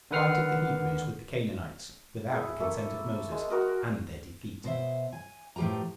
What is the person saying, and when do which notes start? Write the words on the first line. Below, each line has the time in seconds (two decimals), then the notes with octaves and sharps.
Fight Of The Hebrews With The Canaanites Without The Consent Of Moses; And Their Defeat.
0.11 D3 D#3 B4 F#5 F6 C7
2.30 E4 G#4
2.60 A3 A#3 A4
3.32 G#3
3.50 F#4 A#4 D#5
4.64 B2 C5 E5
5.13 G#5
5.56 A2 F3 G4 B4 A#5